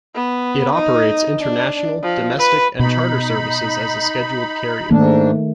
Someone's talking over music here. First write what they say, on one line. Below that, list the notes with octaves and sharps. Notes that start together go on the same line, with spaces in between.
It operates international, domestic and charter services as a scheduled carrier.
B3
D#4
D4
F3
B4
B2 D#4 B5
G#2 D#3 A3 A#3 D4